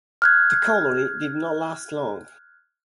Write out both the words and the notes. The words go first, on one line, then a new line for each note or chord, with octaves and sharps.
The colony did not last long.
F6 F#6 G#6